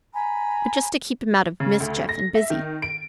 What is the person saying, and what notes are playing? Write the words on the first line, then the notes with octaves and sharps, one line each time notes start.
But just to keep him out of mischief, and busy.
G#5 A#5 B5
C#3
D2
A#6
E5
D#3
D7